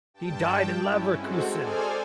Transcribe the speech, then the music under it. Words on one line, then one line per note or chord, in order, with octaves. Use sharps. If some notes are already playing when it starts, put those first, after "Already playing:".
He died in Leverkusen.
G2 G5 A5
C#4 E4
G#3 C4 F#4 A4
G#4 A4 C5 D5 G#5 F6